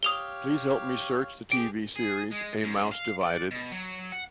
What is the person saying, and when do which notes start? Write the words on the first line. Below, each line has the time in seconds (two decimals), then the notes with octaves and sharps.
Please help me search the TV series A Mouse Divided.
0.03 G4 C#5 F5 D#6 F7 G7
1.52 G4 G#4 D7
1.97 G#4
2.33 G#3
2.64 F#2
2.92 F5
3.21 D5
3.51 B2
3.71 F#3
4.12 F#5